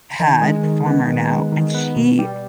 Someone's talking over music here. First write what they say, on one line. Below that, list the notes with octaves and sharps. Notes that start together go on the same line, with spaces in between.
had, former now- and she,
D#3
G#3
D#3
B3
D#3
G#3
D#3
B3
B2
G3